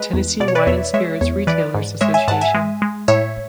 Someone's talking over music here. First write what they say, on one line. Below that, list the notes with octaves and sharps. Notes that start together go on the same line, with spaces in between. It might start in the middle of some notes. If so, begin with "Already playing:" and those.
Tennessee Wine and Spirits Retailers Assn.
Already playing: G#3 B4
E2
B2 D5
C#5
B4 D5
E2 C#5 E5
G#3 C#5 E5
E2 C#5
E3 B4 D5
G#2
G#3 C#5 E5
E5 G#5
G#2 F#5 A5
E5 G#5
G#3
G#3
A2 C#5 E5